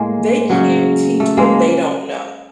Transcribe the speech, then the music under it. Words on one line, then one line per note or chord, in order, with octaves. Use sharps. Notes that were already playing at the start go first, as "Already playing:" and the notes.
they can't teach what they don't know.
Already playing: A2 G#3 A#3
C#3 F#3
A3
G#3 A#3